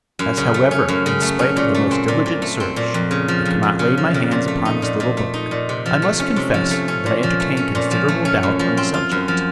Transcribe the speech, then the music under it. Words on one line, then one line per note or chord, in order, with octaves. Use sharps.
As however, in spite of the most diligent search, I cannot lay my hands upon this little book, I must confess that I entertain considerable doubt on the subject.
F#2
C#3
A3
C#4
F#2
C#3
A3
C#4
A#2
A3
C4
A#2
A#2
A3
C4
A#2
F2
C#3
F3
F2
F2
C#3
F3
F2
A#2
A3
D#4
A#2
A#2
A3
D#4
A#2
C3
F3
A3
C#4
C3
F3
A3
C#4
A#2
F3
A3
C#4
A#2
F3
A3
C#4
F#2
F3
C4
F4
F#2
F3